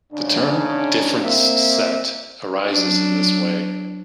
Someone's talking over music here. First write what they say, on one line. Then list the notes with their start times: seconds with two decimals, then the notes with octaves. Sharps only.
The term "difference set" arises in this way.
0.13 G#2 C#3 D4
1.23 A#3 C4 E5
2.70 F#3 D4